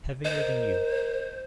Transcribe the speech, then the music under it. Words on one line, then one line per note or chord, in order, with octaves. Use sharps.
Heavier than you.
A#4 C5 D#5